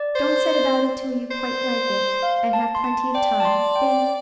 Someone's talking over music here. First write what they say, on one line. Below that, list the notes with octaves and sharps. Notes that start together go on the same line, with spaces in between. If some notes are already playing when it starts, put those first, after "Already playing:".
'Don't set about it till you quite like it, and have plenty of time. Thank you.
Already playing: D5
C5
C5
F5
A5
C6
A5
D5 G5
A5
C6
G5